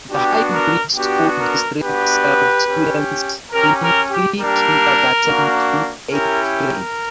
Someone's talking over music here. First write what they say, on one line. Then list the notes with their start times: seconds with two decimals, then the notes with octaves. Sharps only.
The High Bridge School District serves students in pre-kindergarten through eighth grade.
0.10 B3 D4 F#4 G4
0.53 A#4
0.95 B3 D4 F#4 G4
1.38 A#4
1.81 B3 D4 F#4 G4 B4
2.67 C#4 G4
3.52 C#4 G4 A#4
3.81 A#4
4.10 G4
4.38 G3 A#3 D4 G4 A#4
5.25 A#3 D4 F#4
6.10 C#4 E4 G4 A#4
6.53 A#4